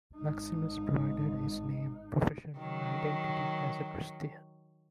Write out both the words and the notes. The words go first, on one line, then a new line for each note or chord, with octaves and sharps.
Maximus provided his name, profession and identity as a Christian.
G#1 D#4
D#3 F#3